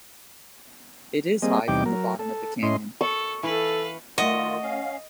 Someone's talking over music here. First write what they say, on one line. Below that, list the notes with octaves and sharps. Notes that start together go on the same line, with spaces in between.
It is high from the bottom of the canyon.
G3 A#3 C4 G#4 D#5
E2 C3 G3 D#4 G5 D6
F#3 A#4
A4
A2 C#4 E4 D#5 C6
A4 C#6
E3 A4 B4 F5
D#3 A3 F4 F#4 D#5 E5
C#4 F5